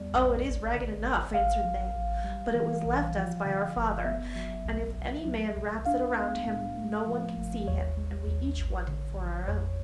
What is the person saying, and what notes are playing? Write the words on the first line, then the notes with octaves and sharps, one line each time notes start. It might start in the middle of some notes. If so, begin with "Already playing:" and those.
'Oh, it is ragged enough,' answered they, 'but it was left us by our father, and if any man wraps it round him no one can see him; and we each want it for our own.'
Already playing: E2 G3 B3 D5
A#1
G#1
D3
G#1
A1 F5
F#3
A1
G3
E3
A#1
F3
D3
G1
B3 E5
F#3
B1
C2
F#3
C2
D4 F5
B3
A2
A3
F3
G#1
D#2 C#5
G#3
D#2
A1
D3
A1
F2 C#5